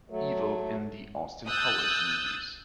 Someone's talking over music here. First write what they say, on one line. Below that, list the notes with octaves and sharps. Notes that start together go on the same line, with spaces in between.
Evil in the Austin Powers movies.
F#3 A3
D#6 E6 F#6 G6 A6